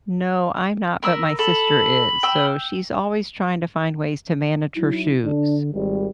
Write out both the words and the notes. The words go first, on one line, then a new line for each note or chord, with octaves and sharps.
No, I'm not, but my sister is. So, she's always trying to find ways to manage her shoes.
A#4 B5 E6
A4 B5
G5 E6
F#3 D#4 E4
D3 D4
G#1 G3